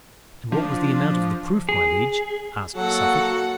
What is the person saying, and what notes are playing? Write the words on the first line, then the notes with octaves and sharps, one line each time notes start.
"And what was the amount of the proof, my liege?" asked Suffolk.
F3 D4
G#4
F#3 A#3 F#4 A4 F#5